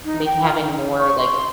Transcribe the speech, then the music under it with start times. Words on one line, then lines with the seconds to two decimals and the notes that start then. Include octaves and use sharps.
m make having more, like,
0.04 D#4
0.25 G5
0.43 F4
0.62 D#4
0.98 C#6
1.17 C6